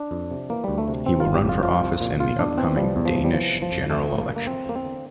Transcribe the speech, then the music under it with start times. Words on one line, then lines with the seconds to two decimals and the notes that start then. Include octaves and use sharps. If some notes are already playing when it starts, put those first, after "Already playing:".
He will run for office in the upcoming Danish general election.
Already playing: D4
0.11 F2
0.31 C3
0.50 E3 A#3
0.64 D2 G3
0.78 A3
0.88 C3
1.06 E3 C4
1.20 G1 F4
1.35 G4
1.44 F2 F4
1.63 F3 F4
1.82 C2
2.01 A#2
2.20 E2 F4
2.39 E2 D4
2.57 E3 C4
2.76 F3 G3
2.96 E2
3.05 F3
3.15 C3
3.24 G3
3.33 E3 F3
3.53 G1
3.62 F3
3.72 F2
3.90 F3 A3
4.10 A1
4.19 A#3
4.28 G2
4.36 A#3
4.47 F3 C4
4.66 E2 A#3
4.75 C4
4.84 D3